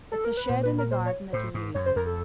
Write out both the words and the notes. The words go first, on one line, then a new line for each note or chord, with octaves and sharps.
It's a shed in the garden that he uses.
A4
A#4
B4
A#2 C5
B4
A#4
C5
C#5
A2 C5
G#2
F#2 C#5
C5
F2 A#4
A4